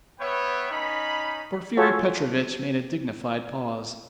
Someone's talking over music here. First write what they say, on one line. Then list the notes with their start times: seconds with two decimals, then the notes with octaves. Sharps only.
Porfiry Petrovitch made a dignified pause.
0.20 B3 B4 C#5 E5 G5
0.71 C#4 D#4 B5
1.77 F4 F#4 G#4 A4 C#5